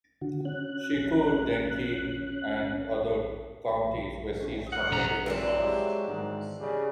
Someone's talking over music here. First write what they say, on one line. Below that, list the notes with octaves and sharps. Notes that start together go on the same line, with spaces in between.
Shiqu, Dengke, and other counties were seized from the Tibetans.
D3 F#4
C#4 F#6
F#5
B1 A#5
E3 F#3 C4 D4
G#3 G4 E5
G#2 D#3
C#3 G4 D5